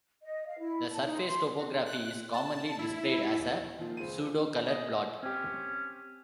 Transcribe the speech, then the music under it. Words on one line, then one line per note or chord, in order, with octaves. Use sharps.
The surface topography is commonly displayed as a pseudocolor plot.
D#5
F5
E4
A5
D#4
C6
F#4
F#6
A5
E4
D#2
A#2 D#3 F3 F4
C#2 G#3 C5 D#7
D#5
C4 C#4 G4